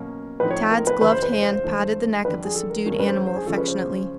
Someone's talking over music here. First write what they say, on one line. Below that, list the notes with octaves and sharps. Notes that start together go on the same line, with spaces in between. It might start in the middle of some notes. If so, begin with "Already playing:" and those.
Tad's gloved hand patted the neck of the subdued animal affectionately.
Already playing: B2 F#3 A#3 C#4
A2 F3 A3 C4 D#4 B4
C#5
A#4
B4
F#2 C#3 E3 B4
C5
B4
C5
C5
C5
G2 E3 A3
F2 D3 G3 B4
G#4
A4
A#4
G2 E3 G#3 C#4
A#4
B4
C5
C#5
C5
G#4
C#3 F3 G#3 C#4 A4
B4
C5